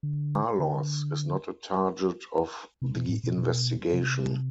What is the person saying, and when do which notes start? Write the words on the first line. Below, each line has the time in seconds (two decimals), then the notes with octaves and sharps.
Carlos is not a target of the investigation.
0.03 D3
0.59 D3
2.82 C3
2.95 B2
3.09 A2
3.24 B2
3.37 B2
3.93 C3